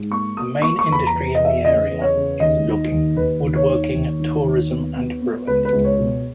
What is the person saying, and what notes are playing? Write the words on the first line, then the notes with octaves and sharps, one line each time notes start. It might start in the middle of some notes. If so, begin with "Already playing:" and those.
The main industry in the area is logging, woodworking, tourism, and brewing.
Already playing: G#2
A#3 C#6
A#3 D#6
A#3 C#6
C#6
E2 B5
A#5
E2
E2 D#5
E5
C#3 D#5
E2
C#5
C#3
D#2 D#5
D#3
D#2
D#2 B4
D#2
C#5
D#3
D#2
D#3
D#2
B3
B3
B3
C#2 B4
B4
C#2
C#5
B2